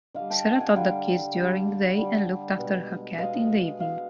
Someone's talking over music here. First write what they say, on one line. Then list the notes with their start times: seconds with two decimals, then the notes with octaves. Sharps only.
Sarah taught kids during the day and looked after her cats in the evening.
0.14 D3 G3 D#5 F5
0.30 G5 A5
0.60 F#5 G#5
0.76 D3 G3 F5 G5
1.37 D3 G3
1.97 D3 G3
2.59 B2 G#3
3.18 B2 G#3 D#5 F5
3.79 B2 G#3 D#5 F5